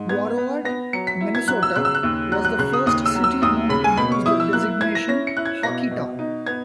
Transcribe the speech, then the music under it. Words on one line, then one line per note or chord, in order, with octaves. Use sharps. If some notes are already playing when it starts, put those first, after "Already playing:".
Warroad, Minnesota was the first city known to use the designation Hockeytown.
Already playing: G#2
B3 G#6
B3
B3 A#6
F#3 C#7
B6
E4
G#6
F#3 F#6
E6
C#3 F#6
E6
F#6
D#2
F#3 F#6
F#6
C#3 F#6
D#6
D#2 D#6
E6
F#3
E6
D#2 D#6
C#3 B5
G#5
B2 B5
C#6
E4 D#6
E6
A#3 F#6
E4 G#6
A#6
C#4 A#6
C#7
E4 F#6
G#6
B2 A#6
B2
D#4
B3 G#6